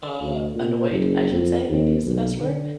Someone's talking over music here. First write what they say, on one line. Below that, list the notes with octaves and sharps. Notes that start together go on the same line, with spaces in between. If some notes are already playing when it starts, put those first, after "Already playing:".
uh, annoyed, I should say maybe is the best word.
D2
A#2
F#1
F2
D#2
B1
D3